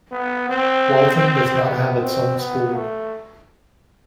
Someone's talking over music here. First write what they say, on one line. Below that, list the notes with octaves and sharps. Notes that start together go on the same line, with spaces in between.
Waltham does not have its own school.
B3
C4
B3
C4
B3
A3